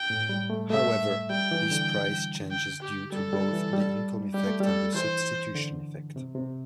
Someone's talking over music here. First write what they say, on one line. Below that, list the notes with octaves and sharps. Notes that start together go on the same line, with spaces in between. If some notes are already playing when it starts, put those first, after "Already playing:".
However, this price changes due to both the income effect and the substitution effect.
Already playing: G5
A2
G3
A3
A3 E5
G3 G5
E3
D3
G5
G4
G3 A4
G3
E3
G3
G3 G4
A3
G3 A4
E3 C5
D3
C3
C3